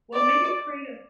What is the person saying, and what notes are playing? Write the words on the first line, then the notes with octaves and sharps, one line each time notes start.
Well, maybe create a
D5